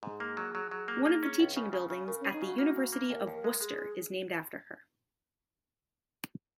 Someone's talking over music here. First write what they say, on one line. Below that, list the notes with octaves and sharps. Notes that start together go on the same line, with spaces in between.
One of the teaching buildings at the University of Worcester is named after her.
G#2 G#4
A#3
F#3
F#3
F#3
A#3
A#3
C#4
C#2
C#3
C#3
C#3
C#3 A#4
C#4
G#4
D#4
C#3 F#4
A#3 F#4
C#3
A#3
D#2 A#4
D#2
A#4
G#3
G#3 G#4
G#3